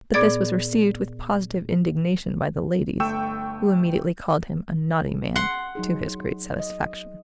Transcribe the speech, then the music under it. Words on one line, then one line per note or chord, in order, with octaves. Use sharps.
But this was received with positive indignation by the ladies, who immediately called him a "naughty man," to his great satisfaction.
A#2 B3 G#4 D5 A6
G1 A3 G5 C#6 E6 E7
F#5 C6
F#3 D#4 G#4
D#5